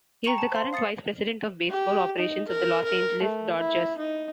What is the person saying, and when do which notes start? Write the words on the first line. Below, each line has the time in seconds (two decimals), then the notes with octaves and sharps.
He is the current Vice President of Baseball Operations of the Los Angeles Dodgers.
0.24 G5 A#5 C#6 C#7 F7 F#7
0.38 A5
0.52 C5 F5 C6
0.73 F5 D#6 A6 C7 C#7
1.70 G4
2.18 D#4
2.48 A#4
2.84 A#4
3.23 A3
3.58 E4
3.98 D#4